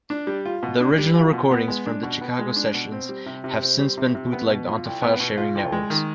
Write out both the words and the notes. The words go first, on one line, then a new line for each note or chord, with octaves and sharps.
The original recordings from the Chicago sessions have since been bootlegged onto filesharing networks.
D4
G3
F4
B2
D4
G3
F4
B2
B3
G#3
D4
B2
B3
G#3
D4
B2
C4
G3
C3
C3
C4
G3
C3
C3
B3
B2
F4
C2
B3
B2
F4
C2
G#3
D#3